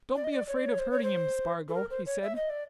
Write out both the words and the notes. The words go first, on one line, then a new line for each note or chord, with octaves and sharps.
"Don't be afraid of hurting him, Spargo," he said.
D5
D#5
D5
C#5
D5
C#5
C5
C#5
C5
A4
A#4
C5
C#5
E5
D#5
D5